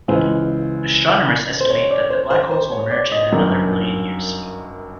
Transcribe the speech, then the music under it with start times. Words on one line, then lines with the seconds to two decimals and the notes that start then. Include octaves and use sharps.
Astronomers estimate that the black holes will merge in another billion years.
0.08 C#2 C#3 E3 C5
1.61 C5
1.70 C#5
1.91 D5
2.10 C5
2.30 C5
2.51 C5
2.72 C#5
2.91 D5
3.12 D#5
3.32 G1 F#2 D#3